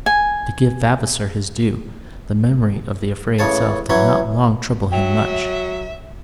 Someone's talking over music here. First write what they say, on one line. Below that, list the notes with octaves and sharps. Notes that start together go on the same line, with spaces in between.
To give Vavasor his due, the memory of the affray itself did not long trouble him much.
G#5
A1 C#3 C#5 A5
E3 F#3 C#4
F#3 E5 G5 F7